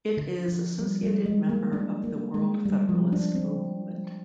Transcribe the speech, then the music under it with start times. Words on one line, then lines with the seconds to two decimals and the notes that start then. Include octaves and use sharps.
It is associated member of the World Federalist Movement.
0.17 D3
0.48 F3
0.79 G3
1.03 G3
1.26 G#3
1.49 A#3
1.73 D4
2.04 A#3
2.34 G#3
2.66 G3
2.89 F3
3.13 D4
3.35 C4